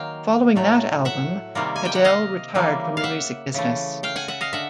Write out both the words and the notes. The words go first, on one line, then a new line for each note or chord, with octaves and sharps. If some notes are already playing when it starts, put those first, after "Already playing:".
Following that album, Cadell retired from the music business.
Already playing: D#3 F#3 A#3 F5 G5
A2 F#3 A3
E5 F#5
C3 D#3 G3 A#3
G#5
G5
F#5
D#5 F5
C#3 E3 G3 A#3
F5
E5 F#5
C#3 E3 A3
F5 G5
F#5 G#5
E5 F#5
D#5 F5
D3 E5 F#5